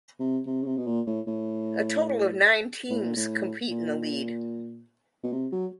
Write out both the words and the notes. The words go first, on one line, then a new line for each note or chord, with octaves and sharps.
A total of nine teams compete in the league.
C3
C3
C#3
C3
B2
A#2
A2
A2
A2
A#2
A2
A#2
B2
C3
F#3